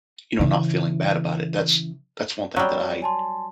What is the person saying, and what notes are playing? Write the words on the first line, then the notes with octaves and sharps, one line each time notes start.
you know, not feeling bad about it. That's that's one thing that I
C#3 E3
F#3 G3
G#5 A5 C6